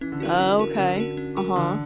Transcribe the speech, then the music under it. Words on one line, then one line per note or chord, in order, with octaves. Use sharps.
Okay, uh-huh.
E3 C#4
D3
E3 F#4 A#4
E3 C#4
F#4 A#4
D3 C#4
F#4 A#4
C#4
F#4 A#4
D3 E3